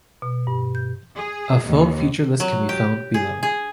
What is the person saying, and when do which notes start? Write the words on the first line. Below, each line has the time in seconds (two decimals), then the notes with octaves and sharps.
A full feature list can be found below.
0.22 B2
0.47 G2
0.75 G6
1.16 G#4
1.66 D#2
2.40 F#3
2.69 G4
3.14 G#4
3.43 G#4